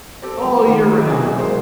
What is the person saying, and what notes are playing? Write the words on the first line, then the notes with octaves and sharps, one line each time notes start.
All year round.
C4 G4 A4
F3
D#3
F#3
E3 F#4 G#4
F#4 G#4
G#3
A#4 C5